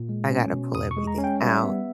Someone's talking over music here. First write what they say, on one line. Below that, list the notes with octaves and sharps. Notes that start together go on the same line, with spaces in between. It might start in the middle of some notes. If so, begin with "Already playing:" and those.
I got to pull everything out.
Already playing: A#2
G#3
C#4
B2
E2 D#6
C#6
G#3
A#5
C#4
G5
G3 E5
B3